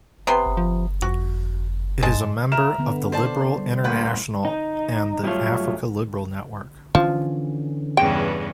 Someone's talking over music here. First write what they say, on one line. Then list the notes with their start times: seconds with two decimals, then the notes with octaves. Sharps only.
It is a member of the Liberal International and the Africa Liberal Network.
0.27 C3 B3 C6
0.57 F3
1.02 F2 F#4
2.03 G2 G#3 A5
2.52 A#4 E5 F6 E7
2.78 D3 B3
3.12 C5 D5 A5
3.58 G3
3.84 D2 A#2 B4 F#5 G5
4.45 D#4
5.23 G2 F#3 A3 A#3 F4 C#5
6.95 D3 E3 F3 C#4
7.97 E2 G2 C#3 G5